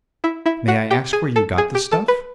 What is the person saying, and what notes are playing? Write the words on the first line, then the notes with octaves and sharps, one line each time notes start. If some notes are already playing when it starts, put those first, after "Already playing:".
"May I ask where you got the stuff?"
E4 E5
E4 E5
F#4 F#5
G4 G5
G#4 G#5
A4 A5
G#4 G#5
G4 G5
A4 A5
B4 B5